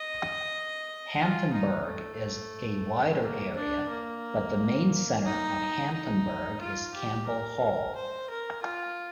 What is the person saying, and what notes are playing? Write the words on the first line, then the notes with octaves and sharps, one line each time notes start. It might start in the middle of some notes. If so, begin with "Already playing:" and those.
Hamptonburgh is a wider area, but the main center of Hamptonburgh is Campbell Hall.
Already playing: D#5
F4
D#4
A3
A#3
D4
A#3
D#4
D#4
F4
G4
A#4
C5
A#4
F4